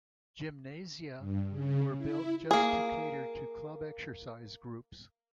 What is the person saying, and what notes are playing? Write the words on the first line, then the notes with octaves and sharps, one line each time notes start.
Gymnasia were built just to cater to club exercise groups.
G2
C#3
E4
A#3 G#4